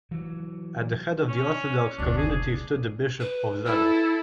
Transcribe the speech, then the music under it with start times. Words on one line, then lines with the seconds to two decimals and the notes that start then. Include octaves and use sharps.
At the head of the Orthodox community stood the bishop of Zadar.
0.11 E3 F#3
1.28 C#4
1.98 F#1 D2 D4
2.18 G#4
3.20 B4
3.66 E4 A4 E6